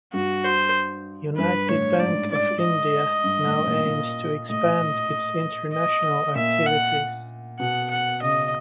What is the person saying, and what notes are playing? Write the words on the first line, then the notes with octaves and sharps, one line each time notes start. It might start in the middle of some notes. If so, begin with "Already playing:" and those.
United Bank of India now aims to expand its international activities.
G2 F#4
C5
G2 B4
A2 C#5
G#2 D5
D5
D#5
G2
A2
A#2
A#2
A2 D#5
D#5
A#2 E5
F#5
B2 F#5
F#5
C#3 D#5